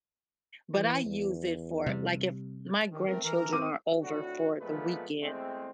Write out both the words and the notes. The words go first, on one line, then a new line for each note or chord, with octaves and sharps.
but I use it for, like, if my grandchildren are over for the weekend
E3
E2
C3 G3
D#3 E3
A3 C4 A#4
E3 A#4 A#5
C4 D6 D#7
F2 A2 D4 F#4
A#2 F3 G#3 A3 B3 B4
E2 G#3 A3 C4